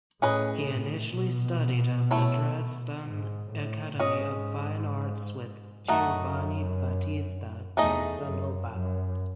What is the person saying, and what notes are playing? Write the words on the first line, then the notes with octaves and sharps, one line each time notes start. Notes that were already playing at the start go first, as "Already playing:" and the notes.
He initially studied at the Dresden Academy of Fine Arts with Giovanni Battista Casanova.
A2 C#4 G#4 B4 D#5
A2
B2
A3 E4 A4 C#5
G#2
A2
G#2 C#4 G#4 D#5
F#2 A3 D#4 F#4
E2 A3 D#4 G#4 D#5
F#2
F#2